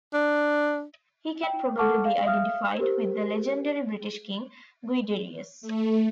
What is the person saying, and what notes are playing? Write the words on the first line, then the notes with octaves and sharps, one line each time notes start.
He can probably be identified with the legendary British king Guiderius.
D4
G5
A4 F#5 A5 C#6 D6 F6
F5
E5 F5 D#6 F6
G4 A#4 C5
A3